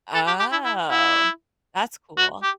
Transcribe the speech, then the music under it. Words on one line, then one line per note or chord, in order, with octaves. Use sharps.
Oh, that's cool.
A4
G4
G4
E4
E4
E4
F#4
G4